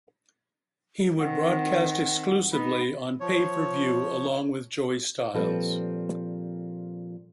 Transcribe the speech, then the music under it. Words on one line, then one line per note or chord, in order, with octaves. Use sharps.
He would broadcast exclusively on pay-per-view along with Joey Styles.
D#3 C4 F#5
B3 D#4 B5
F3 C#5
A#2 F3 G3 C4 A4 B4